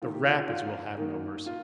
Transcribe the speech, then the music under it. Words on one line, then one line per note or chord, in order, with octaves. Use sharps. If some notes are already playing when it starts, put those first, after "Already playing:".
The rapids will have no mercy.
D#3 A#3 F4
G4
F4
F4
F4
D#3 A#3
F4